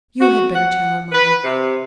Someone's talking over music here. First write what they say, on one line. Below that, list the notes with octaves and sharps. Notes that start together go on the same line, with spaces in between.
"You had better tell her, mamma."
F#4
F#5
B4
C3